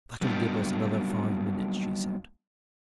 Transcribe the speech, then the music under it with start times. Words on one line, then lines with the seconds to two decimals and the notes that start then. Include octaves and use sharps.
"That'll give us another five minutes," she said.
0.21 F#3 G3 A#3 B3 D4 D#4